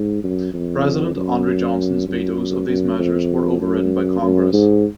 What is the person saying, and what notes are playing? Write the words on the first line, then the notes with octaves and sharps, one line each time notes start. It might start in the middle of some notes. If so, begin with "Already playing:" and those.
President Andrew Johnson's vetoes of these measures were overridden by Congress.
Already playing: G#2
F#2
F2
F#2
F#2
F#2
F2
F#2
F#2
G#2